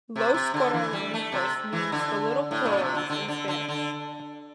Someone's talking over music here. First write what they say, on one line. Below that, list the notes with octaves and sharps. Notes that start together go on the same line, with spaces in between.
"Los Corralitos" means "the little corrals" in Spanish.
C3
C3
D3
E3
G3
A3
C3
E3
D3
A2
A#2
C3
D3
D3
D3
D3
D3